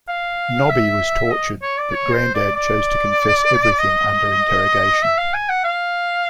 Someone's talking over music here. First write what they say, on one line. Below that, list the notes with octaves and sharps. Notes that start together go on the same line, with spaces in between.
Nobby was tortured but Grandad chose to confess everything under interrogation.
F5
E5
D#5
C#5
D5
C#5
C5
D5
D5
D#5
E5
F5
G#5
F#5
F5